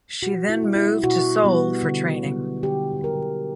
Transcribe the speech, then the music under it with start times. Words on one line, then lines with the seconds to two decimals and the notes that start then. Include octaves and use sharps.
She then moved to Seoul for training.
0.22 B2 F#4
0.49 E4
0.63 G3 B3
0.76 E4
1.03 B2 F#4
1.43 G3 B3
1.83 D3
2.24 F#3 B3
2.63 D3 G4
3.04 F#3 B3 A#4